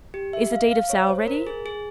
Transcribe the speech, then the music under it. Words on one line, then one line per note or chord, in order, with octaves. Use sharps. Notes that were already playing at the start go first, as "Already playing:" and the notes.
"Is the deed of sale ready?"
G4
E5
F5
F5
C#5
C5
A#4
G#4
G#4